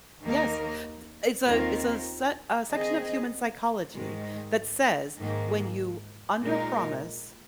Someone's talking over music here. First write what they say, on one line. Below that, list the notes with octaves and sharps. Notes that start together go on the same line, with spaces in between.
Yes. Th It's a it's a set a section of human psychology that says, when you underpromise
D#2 D#3 A#3 D#4 A#4
D#2 D#3 C4 F4 A#4
D#3 C4 G#4 D#5
G#2 D#3 G#3
G#2 D#3 A#3
A#2 G#3 D#4 A#4